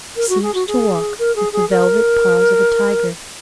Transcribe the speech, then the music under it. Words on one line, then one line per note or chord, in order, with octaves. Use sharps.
He seemed to walk with the velvet paws of a tiger.
A#4
F#4
G#4
F#4
G#4
A#4
G#4
G#4
A#4